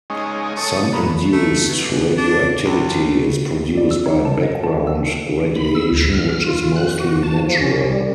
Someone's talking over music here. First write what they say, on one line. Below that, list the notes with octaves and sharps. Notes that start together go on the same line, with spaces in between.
Some induced radioactivity is produced by background radiation, which is mostly natural.
G#3 C#4 D#4
A4 C#5 D#6
A#3 B3
A3
B2
D4
C#2
D5
E6
D#4
A5
D#5
A5
E6
B5
E6
D2
F6
F4
F#6
F#4
A5
F3
C#4
G3